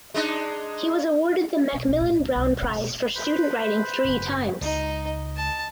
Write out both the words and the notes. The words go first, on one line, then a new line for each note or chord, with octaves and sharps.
He was awarded the Macmillan Brown Prize for student writing three times.
G#3 D4 D#4
B1
B1
A2
D2
C2
D#3
C#3
B2
B4 C5 B5
F#1 G#2
C#2 G#3 D#4 D#5
A5